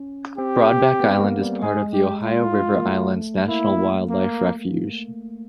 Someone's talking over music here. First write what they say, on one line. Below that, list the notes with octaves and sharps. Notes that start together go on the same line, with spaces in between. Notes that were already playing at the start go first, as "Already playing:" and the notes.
Broadback Island is a part of the Ohio River Islands National Wildlife Refuge.
Already playing: C#4
C4 G4
B3
A#3
G3
G#3 G#4
G4
F4
A#3
A3
A#3 E4
A#3